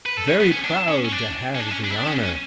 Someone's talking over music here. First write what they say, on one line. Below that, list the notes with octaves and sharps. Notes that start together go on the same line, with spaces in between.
Very proud to have the honour!
B4
A4
C#4
B3
C#4
D4
C#4
C#4
D4
C#4
D4
C#4
D4
E4
D4
C#4
C#4